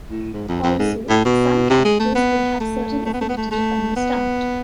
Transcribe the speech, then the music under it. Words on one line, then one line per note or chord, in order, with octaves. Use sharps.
Also, some characters will have a certain affinity from the start.
A2
G#2
F2
F2
G#2
A2
B2
C3
G#3
A3
B3
A3
A3
B3
A3
B3
A3
A3
B3